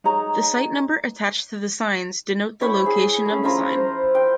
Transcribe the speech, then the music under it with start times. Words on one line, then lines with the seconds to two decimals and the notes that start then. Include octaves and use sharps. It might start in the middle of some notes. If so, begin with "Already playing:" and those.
The site number attached to the signs denote the location of the sign.
0.04 D#4 G#4 C#5 A#5
2.61 E4 C#5 G5 B5
2.86 G#4
3.26 A3 C#4
3.43 F3 E4 F4 A#5
3.72 C5
4.15 G5